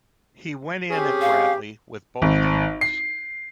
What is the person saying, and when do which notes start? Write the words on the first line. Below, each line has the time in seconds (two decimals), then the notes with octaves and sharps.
He went in at Bradley with both hands.
0.90 C4 C#4 G4 G#4
1.21 F5
2.22 G#1
2.81 C7